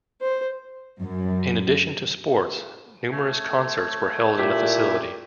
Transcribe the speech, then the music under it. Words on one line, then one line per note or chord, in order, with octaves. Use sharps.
In addition to sports, numerous concerts were held in the facility.
C5
F#2
A3 C#5
A#2 E4 G4